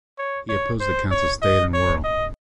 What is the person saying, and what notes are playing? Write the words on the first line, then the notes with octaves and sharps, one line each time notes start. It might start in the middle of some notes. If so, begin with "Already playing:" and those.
He opposed the counts of Stade and Werl.
C#5
C#5
C5
C#5
D#5
C#5
D#5